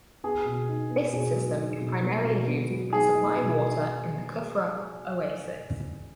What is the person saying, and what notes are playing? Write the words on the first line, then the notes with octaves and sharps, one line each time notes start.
This system is primarily used to supply water in the Kufra oasis.
B3 G#4
B2
D#4
B3
B2 G#4
F#3
D#4
B2
B3
B2
B3
F#3
D#4 G#4
D#4
B2